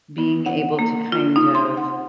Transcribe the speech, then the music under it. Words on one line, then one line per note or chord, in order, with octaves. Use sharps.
being able to kind of,
B3
F#5
A#3
F4
D#4
C6
F#5